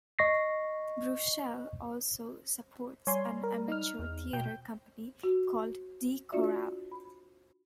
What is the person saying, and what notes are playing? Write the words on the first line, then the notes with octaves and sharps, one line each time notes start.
Bruchsal also supports an amateur theater company called Die Koralle.
D#5 C#6 A#6 C7
G3 C#5 G#5 C6
A#4
D#4 F6
E2
B2 G5 G6
F#4
D4 F4 F#4 D5 E5
B5